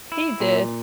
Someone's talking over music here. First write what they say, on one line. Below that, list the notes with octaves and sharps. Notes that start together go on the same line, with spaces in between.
He did,
E4
A#2